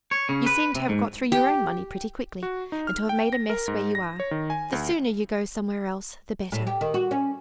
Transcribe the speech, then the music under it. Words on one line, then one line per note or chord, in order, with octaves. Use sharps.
You seem to have got through your own money pretty quickly, and to have made a mess where you are; the sooner you go somewhere else the better.
C#5
C#3
B4
C3
G#2
G4
F#4
D#4
F6
G5
A#6
A#4
G#2
A#6
C#5
D#3
G#5
D2
A2
G4
D#3
F#4
C#4